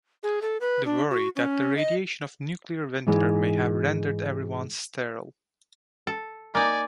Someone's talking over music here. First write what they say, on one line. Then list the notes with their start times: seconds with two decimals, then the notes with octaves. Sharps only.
They worry that the radiation of the nuclear winter may have rendered everyone sterile.
0.23 G#4
0.42 A4
0.61 B4
0.86 D4
1.10 F#4
1.36 C#4
1.77 D#5
3.07 G#2 E3 G#3
6.07 A4
6.55 A#3 D#4 D5 G#5